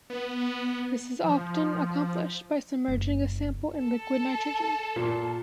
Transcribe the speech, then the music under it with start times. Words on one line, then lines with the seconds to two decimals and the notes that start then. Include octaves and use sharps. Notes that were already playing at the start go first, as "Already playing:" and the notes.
This is often accomplished by submerging a sample in liquid nitrogen.
0.10 B3
1.24 F3
2.88 F#1
3.76 A4
4.96 A#2